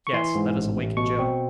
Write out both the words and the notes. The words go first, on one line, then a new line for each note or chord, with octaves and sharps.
"Yes, let us waken Joe."
C#6
E3 C6
G#2
A1
A1
B2 C#6
C4